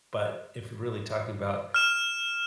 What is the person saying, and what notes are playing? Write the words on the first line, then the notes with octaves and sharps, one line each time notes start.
but if you're really talking about
F6 E7